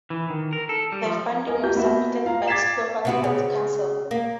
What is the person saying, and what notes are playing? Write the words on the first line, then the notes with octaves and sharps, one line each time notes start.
The funding was supported by Slovak Arts Council.
E3
D#3
A#4
A4
G3
F3
A#4 D#5 G#5
F4 G4 G6
A#3 B3 F#4 E5
F4 F5 A#5
D6 G#6 A6 B6 C7 E7
C3 B3 F#4
C#3
A#3